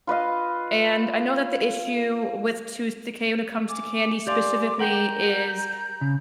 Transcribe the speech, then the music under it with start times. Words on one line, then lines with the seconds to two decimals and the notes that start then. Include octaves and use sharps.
and I know that the issue with tooth decay when it comes to candy specifically is
0.07 F4 B4 D#5 F5
3.69 G#5 D6
4.27 G4 D5 F5 G#5 C6 D6
4.79 A#4 F#5 G5 A#5 G6
6.01 C#3